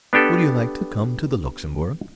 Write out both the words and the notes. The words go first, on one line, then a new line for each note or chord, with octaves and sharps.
"Would you like to come to the Luxembourg?"
B3 D4 G4 A4